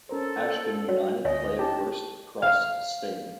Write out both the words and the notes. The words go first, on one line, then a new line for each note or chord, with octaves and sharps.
Ashton United play at Hurst Cross stadium.
C#4 A4 A#4 C5
F#4 C#5
D2 C#5 D#5 E5 G#5
D4 E4 G4 A5
F5